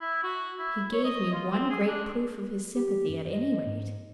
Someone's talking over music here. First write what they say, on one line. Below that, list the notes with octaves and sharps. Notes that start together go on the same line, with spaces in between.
"He gave me one great proof of his sympathy, at any rate."
E4
F#4
E4
C#5
D#5
F4
C4
G#4
D4
G4
F#2
D#5
G#2